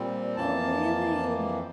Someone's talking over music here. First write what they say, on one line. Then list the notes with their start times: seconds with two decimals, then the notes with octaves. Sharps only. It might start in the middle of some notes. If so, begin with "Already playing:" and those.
Oh, really?
Already playing: A#2 G3 C4
0.36 F2 E3 A#3 A5